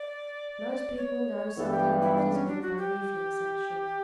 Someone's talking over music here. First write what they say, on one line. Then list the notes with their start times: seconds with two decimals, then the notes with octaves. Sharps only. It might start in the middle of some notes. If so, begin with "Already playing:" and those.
Most people know something of what is meant by reflex action.
Already playing: D5
0.97 C#5
1.57 G2 E3 G3 B3 A4
1.72 G4
2.02 E4
2.17 D4
2.32 C#4
2.46 D4
2.62 F#4
2.77 G4